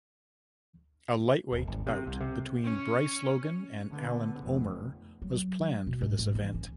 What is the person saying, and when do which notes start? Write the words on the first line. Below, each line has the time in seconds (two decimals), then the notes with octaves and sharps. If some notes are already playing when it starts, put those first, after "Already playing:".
A lightweight bout between Bryce Logan and Alan Omer was planned for this event.
1.53 D#1
1.67 G#1
1.87 C3
2.07 C2
2.21 C3
2.64 C#4
3.91 D3 B3
4.41 F1
5.22 F#3
5.87 B2
6.01 G#2
6.19 G#2
6.35 E3
6.54 C#4